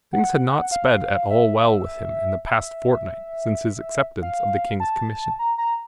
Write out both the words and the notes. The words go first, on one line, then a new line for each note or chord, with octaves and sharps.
Things had not sped at all well with him in the past fortnight since his acceptance of the King's commission.
F#5
F5
E5
E5
F5
A5
A#5
A#5